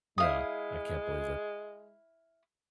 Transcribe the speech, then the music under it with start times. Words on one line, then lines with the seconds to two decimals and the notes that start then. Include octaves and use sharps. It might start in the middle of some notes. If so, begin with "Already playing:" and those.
yeah. I can't believe that
0.18 G#3 E4 F5 D#6